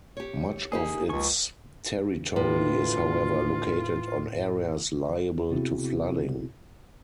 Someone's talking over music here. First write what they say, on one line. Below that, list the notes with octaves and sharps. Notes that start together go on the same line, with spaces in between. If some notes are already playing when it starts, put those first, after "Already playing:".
Much of its territory is however located on areas liable to flooding.
G4 C#5
A#3 D#4 G4 G#4
C#2 F3 G#5 C#6
D2 A2 F4 B4
C3 B3 C4 E4 F#4 G#4